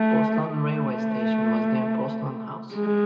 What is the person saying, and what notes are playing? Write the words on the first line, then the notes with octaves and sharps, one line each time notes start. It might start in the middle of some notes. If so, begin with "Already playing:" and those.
Postland railway station was near Postland House.
Already playing: A3
A3
G#3